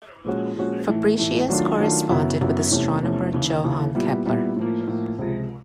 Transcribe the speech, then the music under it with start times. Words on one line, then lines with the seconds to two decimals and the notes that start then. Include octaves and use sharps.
Fabricius corresponded with astronomer Johannes Kepler.
0.25 A#2 F3 G#3 C#4 F#4
0.56 A#2 F3 G#3 C#4 F#4
0.87 A2 E3 A3
1.18 A2 E3 A3
1.48 D#3 F#3 A3 D4 F4
1.78 D#3 F#3 A3 D4 F4
2.09 F#2 C#3 F#3 B3 E4
2.41 F#2 C#3 F#3 B3 E4
2.71 E2 C3 E3 A3 C#4
3.03 E2 C3 E3 A3 C#4
3.33 D#2 C#3 E3
3.64 D#2 C#3 E3
3.95 A#2 G3 B3 E4
4.25 A#2 G3 B3 E4
4.56 A2 F3 A#3
4.87 A2 F3 A#3
5.18 C#2 C3 F3 G#3